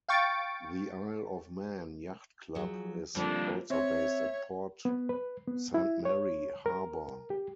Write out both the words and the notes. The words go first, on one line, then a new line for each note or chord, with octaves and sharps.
The Isle of Man Yacht Club is also based at Port Saint Mary harbour.
F5 G5 C#6 A6 D7
F3 F#3 G#4
D3 F3 G3 A#3 C4 D4
C4 C#5 E5
B3
B4
B3
E4
C#5
A#4
G4